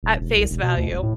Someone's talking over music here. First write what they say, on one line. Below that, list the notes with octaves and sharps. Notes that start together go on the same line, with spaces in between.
At face value.
D#1
E1
C2
E1
B2
D2
D#1
A2